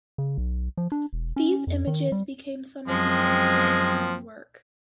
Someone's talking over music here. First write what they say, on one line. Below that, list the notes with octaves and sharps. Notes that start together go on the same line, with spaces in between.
These images became some of his most widely known work.
C#3
B1
F3
D4
E1
C#4
F2
D#3
G3
F#2 F3 G#3 C4